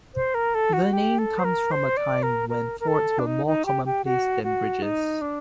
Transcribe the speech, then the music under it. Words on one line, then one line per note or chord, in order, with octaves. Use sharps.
The name comes from a time when fords were more commonplace than bridges.
C5
A#4
A4
F#4
G4
A4
C5
A#4
C5
D5
A#4
A#4
A#4
A4
D4
D#4
D#4
G4
G4
F#4
F#4
D#4
D4